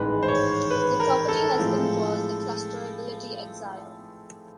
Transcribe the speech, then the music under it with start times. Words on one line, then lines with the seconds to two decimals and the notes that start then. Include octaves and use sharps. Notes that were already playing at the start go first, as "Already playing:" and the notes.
The property has been called the "clusterability axiom".
Already playing: A1 G#2 D#3 G#3 B4
0.23 C5
0.28 C#5
0.71 B4
1.00 A#4
1.28 A4
1.58 A2 F3 G#3 C4